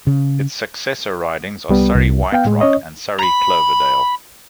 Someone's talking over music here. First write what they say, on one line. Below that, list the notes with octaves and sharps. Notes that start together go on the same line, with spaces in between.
Its successor ridings are Surrey-White Rock and Surrey-Cloverdale.
C#3
C2 G3 B3
C2
B3 F5 G5
A2 G#3
C#4 C#5 D#5
A#5 B5